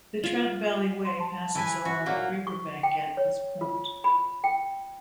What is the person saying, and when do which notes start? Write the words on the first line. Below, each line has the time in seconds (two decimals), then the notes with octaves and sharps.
The Trent Valley Way passes along the riverbank at this point.
0.24 F4
1.05 C6
1.20 A5
1.55 E3 B4 G#5
1.85 F#4 E5
2.06 A#2 F#3 A#3 F#5
2.47 C#6
2.83 G5
3.17 C#5
3.61 F4
4.04 B5
4.44 G5